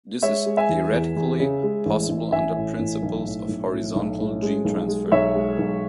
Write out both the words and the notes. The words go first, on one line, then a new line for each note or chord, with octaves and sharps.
This is theoretically possible under principles of horizontal gene transfer.
G#3 C#5 E5
G#3
E5 G#5
E2
E2
E2
C#3
G#3
A1
A1
A1 E5 G#5
A2
A1
B1
A2
B1
A2
B1
A2
G#3
B1
G#3
B1 C#5 E5
G#3
B1